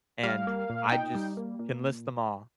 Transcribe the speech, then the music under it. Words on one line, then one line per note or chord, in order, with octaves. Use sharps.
and I just can list them all.
G3 F5
A#3
A#2
D#4 G5
G3
A#3
A#2